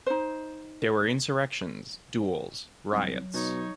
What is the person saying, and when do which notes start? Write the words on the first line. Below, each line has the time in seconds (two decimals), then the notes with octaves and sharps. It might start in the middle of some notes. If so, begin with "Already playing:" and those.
There were insurrections, duels, riots.
0.06 D#4 C5
2.93 C2 F#3
3.34 B2 D#4 C#5